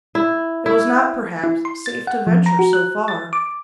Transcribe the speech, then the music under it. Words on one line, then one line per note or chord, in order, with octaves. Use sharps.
It was not, perhaps, safe to venture so far.
E4
E4
E4
C6
A6
F#5
F3
A#5
F#4
F#6
A6
D6